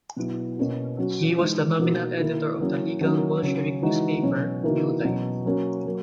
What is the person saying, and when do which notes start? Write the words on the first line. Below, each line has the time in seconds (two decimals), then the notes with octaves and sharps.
He was the nominal editor of the legal Bolshevik newspaper "New Life".
0.17 B2 F#3 B3 E4
0.57 B2 A#3 C#4 F#4
0.98 F#3 C#4 F#4
1.39 E3 G#3 D#4
1.79 B2 A#3 D#4 F#4
2.20 D#3 A#3 E4
2.61 F#3 A#3 C#4 E4
3.01 D#3 F#3 A#3 C#4 E4
3.42 C#3 F#3 C#4
3.82 E3 G#3 D#4 F#4
4.23 B2 F#3 C#4
4.63 E3 A#3 D#4 F#4
5.05 B2 F#3 C#4
5.45 F#3 A#3 C#4 F#4
5.85 F#3 A#3